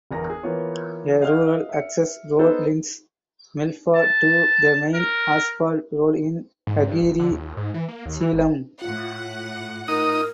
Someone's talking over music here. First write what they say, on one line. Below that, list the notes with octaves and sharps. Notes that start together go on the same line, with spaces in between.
A rural access road links Melfa to the main asphalt road in Hagere Selam.
G1 E2 A#4 A#6
G#4
E3 A#3 B3 F4 C#5
D#5 F5 F#5 F6
E5 C#7
B3 D#4 A4 B4 C5
A5
A#4
G#2
G2
F1
D3
D#2
D#2
G#2
E3
A#3
D#2
E3
G#1
A2 F4 F#5
D#4 A#4 D#6